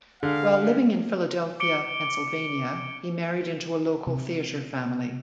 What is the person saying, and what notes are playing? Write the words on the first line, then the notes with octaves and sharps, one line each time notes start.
While living in Philadelphia, Pennsylvania, he married into a local theatre family.
D3 D4 G#4 F5
D6 C#7 D7 G7
C3